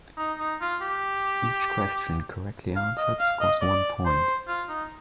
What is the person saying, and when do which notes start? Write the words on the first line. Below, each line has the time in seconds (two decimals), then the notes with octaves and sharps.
Each question correctly answered scores one point.
0.17 D#4
0.39 D#4
0.61 F4
0.81 G4
2.76 F5
2.97 D#5
3.19 F5
3.41 D#5
3.61 D5
4.05 C5
4.47 F4
4.69 D#4